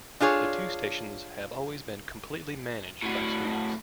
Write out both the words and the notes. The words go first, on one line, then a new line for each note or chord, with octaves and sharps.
The two stations have always been completely managed by students.
D4 F4 G#4 C#5
A2 F#4